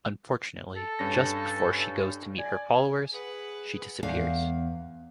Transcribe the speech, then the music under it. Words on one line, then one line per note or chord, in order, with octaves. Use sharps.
Unfortunately, just before she goes to meet her followers, she disappears.
A4
G2 C#4 A#6
D5 G#5
G#4 B4 F#5
E2 F5